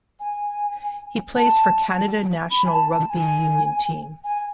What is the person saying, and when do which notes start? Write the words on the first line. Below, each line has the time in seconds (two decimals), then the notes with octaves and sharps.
He plays for Canada national rugby union team.
0.20 G#5
1.35 A5
2.51 B5
2.66 G#5
2.71 A5
2.89 A5
3.09 G#5
4.24 G#5